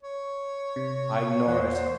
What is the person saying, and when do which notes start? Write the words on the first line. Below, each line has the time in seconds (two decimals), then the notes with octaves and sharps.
I ignore it.
0.03 C#5
0.76 C3
1.47 E2 C5 F#5